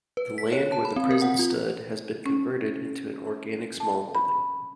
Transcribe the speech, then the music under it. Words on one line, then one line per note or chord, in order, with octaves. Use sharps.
The land where the prison stood has been converted into an organic smallholding.
B4
B6
C#5
A5
B5
C4
A#4
F#5
F4
C#4
A5
B5